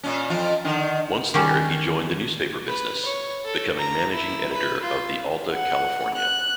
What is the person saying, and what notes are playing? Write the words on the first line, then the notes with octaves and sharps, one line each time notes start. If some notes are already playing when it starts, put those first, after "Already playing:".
Once there he joined the newspaper business, becoming managing editor of the "Alta California".
A#2 C#4
F2 F3 F4
D3 D#3
D#3 G3 C#4
B4
C#5
A4
A#5
E4
B4
F4
F#5
F#6